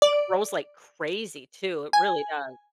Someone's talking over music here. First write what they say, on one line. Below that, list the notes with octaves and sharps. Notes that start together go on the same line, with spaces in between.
It grows like crazy too, it really does.
D5
G#5